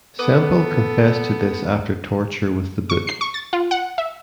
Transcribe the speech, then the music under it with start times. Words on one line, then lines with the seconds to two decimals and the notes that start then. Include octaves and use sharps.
Sempill confessed to this after torture with the boot.
0.19 B3 A4 B4 D6 D#6
2.90 C#6
3.07 C7
3.21 C#6
3.34 A6
3.53 F4
3.71 F#5
3.98 E5